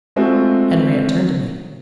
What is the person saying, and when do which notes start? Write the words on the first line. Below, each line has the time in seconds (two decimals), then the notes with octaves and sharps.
Henriette turned to me.
0.16 G#3 A3 C4 F4 F#4